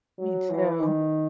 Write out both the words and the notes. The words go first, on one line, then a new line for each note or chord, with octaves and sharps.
Me too.
F#3
E3
D#3